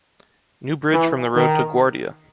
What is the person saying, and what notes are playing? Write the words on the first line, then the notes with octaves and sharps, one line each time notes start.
New bridge from the road to Guàrdia.
E3
D#3